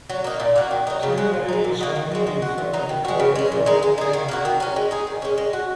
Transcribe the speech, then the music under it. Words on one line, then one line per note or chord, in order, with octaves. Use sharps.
Two ladies running in front of a CocaCola ad.
F#3
A#3 D#4
A#2
A#3 F#4
D#3
F#3 D#4
C#3
G#3 F#4
A#2
G#3 D#4
A#2
A#3 D#4 F#4
D#3
G#3 F#4
G#3
F#4
A#2
F#3 D#4
D#3
G#3 F#4
C#3
G#3 C#4
A#2
G#3 D#4
G#3
D#4 G#4
D#3
A#3 D#4 F#4
D#3
F#3 C#4
G#3
D#4 G#4
D#3
G#3 C#4
G#3
F#4